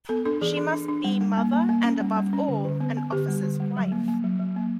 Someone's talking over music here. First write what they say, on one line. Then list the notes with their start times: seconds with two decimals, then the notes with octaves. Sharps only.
She must be mother and, above all, an officer's wife.
0.09 B3 A4
0.25 D4 A4
0.41 E3 G#4
0.57 D4
0.73 D4
0.89 D4
1.05 G3
1.21 G3
1.37 A#3
1.53 A#3
1.69 A#3
1.84 C#4
2.00 G3
2.16 G3
2.33 C#4
2.48 D3
2.64 D3
2.80 B3
2.97 B3
3.12 D3 G4
3.28 G3
3.44 D3
3.60 G3
3.77 F#3
3.92 A#3
4.08 A#3
4.24 F#3
4.39 F#3
4.56 A#3